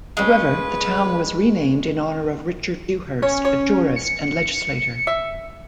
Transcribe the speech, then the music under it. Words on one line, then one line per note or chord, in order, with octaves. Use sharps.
However, the town was renamed in honor of Richard Dewhurst, a jurist and legislator.
G#3 C#4 B4
C#4 C#5
C#5
C#7
E5